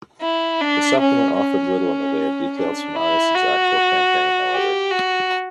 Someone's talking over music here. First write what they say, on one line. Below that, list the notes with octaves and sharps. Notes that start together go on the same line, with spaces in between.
The supplement offered little in the way of details from Arneson's actual campaign, however.
E4
D4
C#4
C#4
D4
E4
F#4
G4
F#4